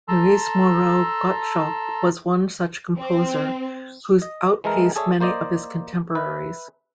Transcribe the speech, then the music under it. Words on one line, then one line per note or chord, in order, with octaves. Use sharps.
Louis Moreau Gottschalk was one such composer who outpaced many of his contemporaries.
A4 A5 A#5 C6 E6
C4
D#5
E3 G#3 A4 A#4
G#4 A4 C#5 D5 E5
A#3 C5 D5 D#5
B4 E5